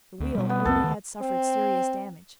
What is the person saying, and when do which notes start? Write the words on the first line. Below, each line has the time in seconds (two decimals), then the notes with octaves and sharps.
The wheel really had suffered serious damage.
0.20 D2
0.35 B2 G3
0.49 B3
0.65 C2 F2 C4 A4
0.82 D2 D#3
1.22 C4